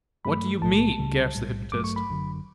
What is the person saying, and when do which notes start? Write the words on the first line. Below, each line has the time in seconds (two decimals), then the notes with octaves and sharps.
"What do you mean?" gasped the hypnotist.
0.25 G2 F#3 A3 B5
0.62 B1 A2 E3 A3 A5
0.99 C#2 C#3 G3
1.35 B1 A2 G3
1.71 A1 G2 F#3 A3 D6
1.84 C#6
1.96 B5
2.09 G1 F#2 D3 F#3